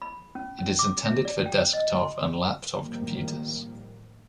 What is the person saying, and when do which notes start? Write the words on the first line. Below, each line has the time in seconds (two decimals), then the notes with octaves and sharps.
It is intended for desktop and laptop computers.
0.02 B5
0.35 C#4
0.59 C#4
0.79 D6
1.05 E5
1.25 D5
1.46 G5
1.73 D#5
1.99 C6
2.77 A2 D#3 F3 G3 A#3